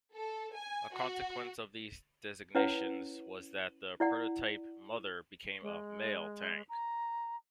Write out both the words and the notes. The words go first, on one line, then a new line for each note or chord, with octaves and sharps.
A consequence of these designations was that the prototype "Mother" became a "male" tank.
A4
G#5
F#4
C#4 E4 B4 C#5 F#5
E4 D5 F#5
G#3
A#5